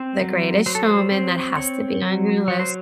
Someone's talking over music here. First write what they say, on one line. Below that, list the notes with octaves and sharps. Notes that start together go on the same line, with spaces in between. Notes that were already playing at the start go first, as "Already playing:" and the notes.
The Greatest Showman, that has to be on your list.
Already playing: C4 C5
F#3
F#3 C5
A4
C5
C4 C5
C4 C#5
F#3
F#3 C#5
C5